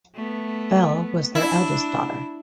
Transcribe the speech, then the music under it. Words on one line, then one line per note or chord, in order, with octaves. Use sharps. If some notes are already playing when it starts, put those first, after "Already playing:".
Bell was their eldest daughter.
A3 B3
D4 E4